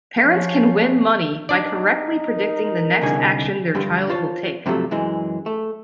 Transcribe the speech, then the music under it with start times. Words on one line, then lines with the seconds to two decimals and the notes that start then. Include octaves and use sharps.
Parents can win money by correctly predicting the next action their child will take.
0.20 F3 C#4
1.49 D4 D#4 D5
2.32 A#4
3.02 C2 D3 G#4
3.75 G2 D3 G3
4.09 F4 C5 C#5 A5
4.66 G2 C3 F3 F#3 A3
4.91 F#2 E3 G#3
5.46 A3